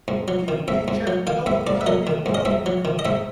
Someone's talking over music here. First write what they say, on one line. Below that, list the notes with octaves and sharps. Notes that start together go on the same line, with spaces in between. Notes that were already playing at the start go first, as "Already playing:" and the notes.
"Forgive me, gentlemen, oh, allow me, allow me!" he cried.
G#2
F#3
D#3
G#2 E5
G#2
F#3
D#3 F5
G#2 E5
G#2 D5
E5
F#3 D#5
D#3
G#2
D#5
G#2 E5
F#3
D#3
D#5
G#2 E5